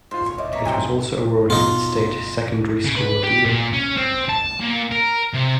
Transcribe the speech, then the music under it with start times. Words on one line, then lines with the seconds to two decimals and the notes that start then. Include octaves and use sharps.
It was also awarded with State 'Secondary School of the Year'.
0.11 G#2 F4 C5
0.26 C#5 C6
0.38 A#3 C#5 D#5 E5
0.52 A#3 B4 C#5 E5 A#5
0.65 C3 F3 F#3 G5 G#5
1.50 B2 D#4 F4
2.85 C#3
2.96 B4
3.23 G4
3.45 A#2
3.73 C#4
3.97 C4
4.29 A5
4.61 A#2
4.92 A#4
5.34 C3